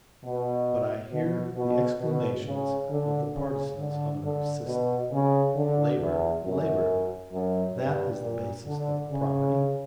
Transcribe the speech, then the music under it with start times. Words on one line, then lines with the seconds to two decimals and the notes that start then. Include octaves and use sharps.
But I hear the exclamations of the partisans of another system: "Labor, labor! that is the basis of property!"
0.24 B2
1.12 B2
1.56 B2
2.01 B2
2.45 C#3
2.90 D3
3.34 C#3
3.78 D3
4.23 D3
4.66 B2
5.11 C#3
5.55 D3
5.99 E2
6.44 F#2
7.32 F#2
7.77 G2
8.21 A#2
8.66 D3
9.09 C#3